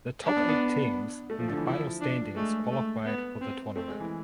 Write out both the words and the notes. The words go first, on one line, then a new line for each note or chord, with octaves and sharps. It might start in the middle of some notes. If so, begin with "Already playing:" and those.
The top eight teams in the final standings qualified for the tournament.
D4
B3
B3
A3
F3
D3
E3
F3 E4
D4
G#3 A3
A3
B3
C4
A3 C4
G#3
E3